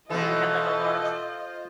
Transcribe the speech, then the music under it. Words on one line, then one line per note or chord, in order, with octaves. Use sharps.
who had, like, a large,
B2 E3 F4 A4 C5 D#5